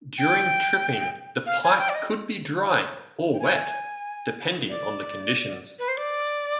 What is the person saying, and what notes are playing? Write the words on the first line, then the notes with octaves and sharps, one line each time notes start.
During tripping, the pipe could be dry or wet depending on the conditions.
G5
F5
G#5
G5
D5
D#5
G5
G#5
D5
B4
C5
D5